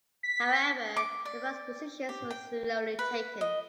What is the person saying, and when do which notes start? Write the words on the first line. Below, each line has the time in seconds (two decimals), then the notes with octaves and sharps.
However, the various positions were slowly taken.
0.23 B6
0.96 D6
1.25 D5
2.09 G4
2.30 G5
2.99 B4
3.41 D#5